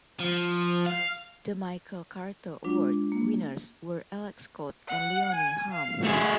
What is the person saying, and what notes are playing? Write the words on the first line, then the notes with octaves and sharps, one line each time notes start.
The Michael Carter Award winners were Alex Scott and Leonie Harm.
F3
F5
G#3 D4 F4
A#3
F#5
G#5
F5
A3 F#4 G#4